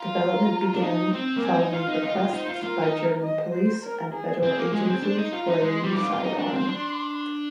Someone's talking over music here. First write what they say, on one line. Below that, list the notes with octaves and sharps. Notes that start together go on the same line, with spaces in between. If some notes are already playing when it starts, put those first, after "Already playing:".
Development began following requests by German police and federal agencies for a new sidearm.
Already playing: F4 A#5
D4
D#4
C4
A#3
C4 G#5
D#4
F4 F5
D#4
F4 D#5
F4
D#4 C5
F4
F4 A#4
D#4
A#4
D#5
C5
A#4
G#4
C4 G#4
A#3
G#3 G#4
C4
D4 C5
D#4
F4 A#5
D#4
G#3 C6
G3
D#4 D6
F4
F4
D#4 A#5
D4
C4 C6
D4